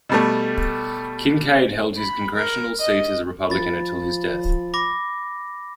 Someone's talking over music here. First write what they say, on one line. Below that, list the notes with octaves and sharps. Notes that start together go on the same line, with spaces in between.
Kinkaid held his Congressional seat as a Republican until his death.
B2 G3 A3
B5
A#4
D#5
F3 B5 A6
B5 D6 A#6